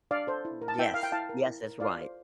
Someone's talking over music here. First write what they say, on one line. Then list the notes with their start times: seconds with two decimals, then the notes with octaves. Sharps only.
Yes, yes, that's right.
0.11 D4 D5 F5
0.27 A4 C5
0.45 E4
0.62 A#4
0.68 A5
0.78 E4 E5 G5
0.94 A#4 F5
1.03 G5
1.12 E4 F5 A5
1.29 A#4
1.46 E4
1.63 A#4
1.80 F4 D5 F5
1.98 A4 C5